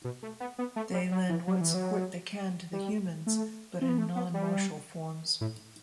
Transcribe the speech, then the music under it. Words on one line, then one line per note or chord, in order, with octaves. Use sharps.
They lend what support they can to the Humans, but in non-martial forms.
B2
A3
B3
B3
A3
G3
F#3
E3
F#3
E3
F#3
G3
A3
C4
B3
A3
B3
G3
A2